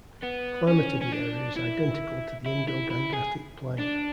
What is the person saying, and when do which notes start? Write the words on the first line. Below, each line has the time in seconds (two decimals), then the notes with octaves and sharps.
Climate of the area is identical to the Indo-Gangatic plain.
0.23 B3
0.68 C#4
1.01 C#4
1.12 D4
1.57 E4
2.46 E4
2.68 E4
2.91 E4
3.13 G#4
3.80 D4